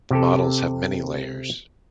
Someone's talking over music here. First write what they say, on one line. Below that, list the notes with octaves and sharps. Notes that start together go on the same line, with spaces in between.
The models have many layers.
C3 G4 A4